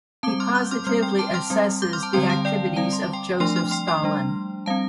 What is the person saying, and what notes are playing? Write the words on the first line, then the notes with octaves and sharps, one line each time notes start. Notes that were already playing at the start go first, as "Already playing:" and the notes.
He positively assesses the activities of Joseph Stalin.
G3 C4 A5 D6
C6 F6
D6 G6
C6 F6
G3 C4 C6 F6
G5 C6
A5 D6
C6 F6
G3 C4
D6 G6
C6 F6
A5 D6
D3 G3 C4 G5 C6
F5 A5
D5 G5
G3 C4 F5 A5
C6
D6
G5 C6
F3 A3 D4 G5 C6
C6 F6
G5 C6
G5 C6
G3 D4
G3 C4 F5 A5